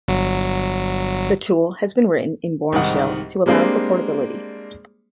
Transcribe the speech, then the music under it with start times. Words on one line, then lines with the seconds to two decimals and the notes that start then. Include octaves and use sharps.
The tool has been written in Bourne shell, to allow for portability.
0.08 G1 F#3
2.72 C2 G#2 D#3 F#5
3.46 G3 G#3 A#3 C4 D4